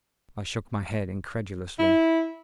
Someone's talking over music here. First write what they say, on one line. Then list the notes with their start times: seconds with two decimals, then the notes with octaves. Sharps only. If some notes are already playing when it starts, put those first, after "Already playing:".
I shook my head incredulously.
1.79 E4